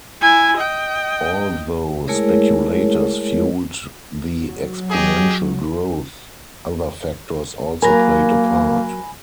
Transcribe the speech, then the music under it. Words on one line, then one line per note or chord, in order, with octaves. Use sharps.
Although speculators fueled the exponential growth, other factors also played a part.
E4 G#5
D#5 G5
G#3 A3 E4 G#4 A#4 C#5
F#3
G4 G#4 D#5
F#3 A#3 A#4 G#5 B5 A#6